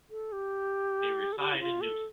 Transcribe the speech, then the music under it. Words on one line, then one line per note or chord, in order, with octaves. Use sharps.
They reside in Newton.
A4
G4
A4
G4
E4
F4
A4